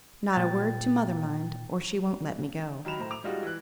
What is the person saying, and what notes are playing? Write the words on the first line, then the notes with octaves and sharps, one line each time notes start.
Not a word to mother, mind, or she won't let me go.
A#2 G5 A6
D#3 F#3 B5 E7 F7
A2 C5 A#5
D6 F7
G3 G#3 D#4 F4 F#4
E3 F#6